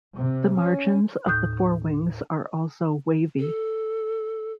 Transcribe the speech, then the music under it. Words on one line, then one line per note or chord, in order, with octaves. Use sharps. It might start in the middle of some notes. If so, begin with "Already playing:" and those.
The margins of the forewings are also wavy.
C3
C#4
D#2 A2 D#6 F#6 G6
A4